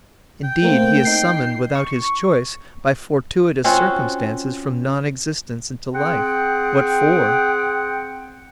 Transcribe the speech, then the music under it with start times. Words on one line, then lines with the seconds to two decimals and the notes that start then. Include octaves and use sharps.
Indeed, he is summoned without his choice by fortuitous circumstances from non-existence into life . . . what for?
0.44 G5
0.62 A3 A#3 C4
1.05 D#4 C7
1.75 C#6
3.64 C4 C#4 F4 F#4
5.93 C4 G#4 F#5 G5